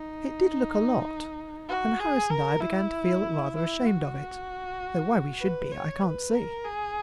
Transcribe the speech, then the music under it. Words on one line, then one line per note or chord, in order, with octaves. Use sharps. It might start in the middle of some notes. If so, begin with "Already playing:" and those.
It did look a lot, and Harris and I began to feel rather ashamed of it, though why we should be, I can't see.
Already playing: D#4
F#4
G#4
A#4
E4
E4
F#4
B4
C#5
B4
A#4
G#4